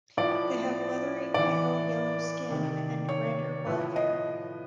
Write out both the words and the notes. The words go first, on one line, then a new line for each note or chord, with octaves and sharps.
They have leathery, pale yellow skin, and red or black hair.
A2 F3 D5
A2 E3 D5
C3 D#3
C#5
A2 F3 B4
D#5